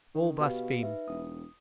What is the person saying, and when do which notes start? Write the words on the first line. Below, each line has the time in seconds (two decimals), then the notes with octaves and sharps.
All blaspheme.
0.14 D#3
0.39 B2 G4 B4 F5
0.83 D#4 B4 E5
1.08 E1 D#6